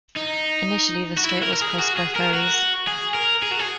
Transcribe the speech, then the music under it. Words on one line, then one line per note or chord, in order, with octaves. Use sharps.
Initially, the strait was crossed by ferries.
D#4
F#4
E4
A#4
A#4
G#4
F#4
G#4
A#4
F#4
G#4
A#4
G#4
F#4
G#4